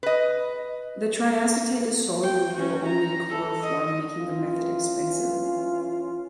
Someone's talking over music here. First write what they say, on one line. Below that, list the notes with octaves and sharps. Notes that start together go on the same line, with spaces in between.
The triacetate is soluble only in chloroform making the method expensive.
B4 D#5
G5
C#4 F#4
A#5
A4
D#5
E3 C#4 F4